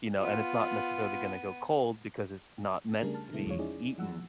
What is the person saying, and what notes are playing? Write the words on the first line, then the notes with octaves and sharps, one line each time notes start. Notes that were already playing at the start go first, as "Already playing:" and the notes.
you know, and it's not necessarily gonna go cold because it's not meant to be eaten.
B3 F4 D#7
C#3 G3 A3 D4 G#4 A#4
A5 F6
B2 D3 G#3 A3 B3 E4
E2 F3 G#3 F4 C#5
C#4 D#4 E4 G#4 D5
F3 F#5 E6